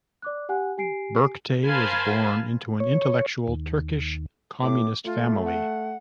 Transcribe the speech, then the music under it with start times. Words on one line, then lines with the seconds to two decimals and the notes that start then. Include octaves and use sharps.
Berktay was born into an intellectual Turkish Communist family.
0.22 D5 D6 F#6
0.49 G4 F#5 G#5 F#6
0.77 G4 G#5 C7 D7
1.65 A#4 C5 F5 G#5 A5 B5
2.80 C#5
3.48 D#2
4.62 A2 D6
5.05 A3 F4
5.44 F#5